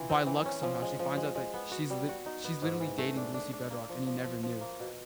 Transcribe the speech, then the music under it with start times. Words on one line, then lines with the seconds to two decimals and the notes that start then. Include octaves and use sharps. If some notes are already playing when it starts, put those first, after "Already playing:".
by luck somehow, she finds out that she's li she's literally dating Lucy Bedroque and he never knew.
Already playing: E3 F4
0.09 C4
0.26 E3
0.46 C#4
0.63 F3
0.82 G#3
0.99 F3
1.17 G#3
1.35 G#3
1.54 B3
1.71 F#4
1.90 G3
2.09 F#4
2.26 D#4
2.44 B3
2.62 G#2
2.80 E3
2.98 A3
3.17 D4
3.34 D4
3.53 D4
3.70 A#3
3.89 F3
4.06 F3
4.24 F3
4.43 F3
4.61 A#3
4.80 B2